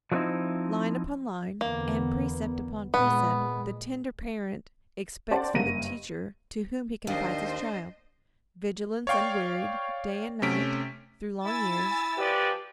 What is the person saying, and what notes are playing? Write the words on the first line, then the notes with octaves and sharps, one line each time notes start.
Line upon line, and precept upon precept, the tender parent expects from the teacher to whom he confides his child; vigilance unwearied, day and night, through long years.
F3 F#3 A3 C4 D#4 E4
E2 D3 A#3 B3
A#2 G#3 B3
C#4 G4 C5 D5 F#5 A5
F#1 G2 A#3 A#6 D#7
D#2 D4 C5 D#5
C#5 D5 F5 G5 C#6
C3 A3 C#4 B6 D7
E4 G#5 E6 A6
F3 G4 B4 D5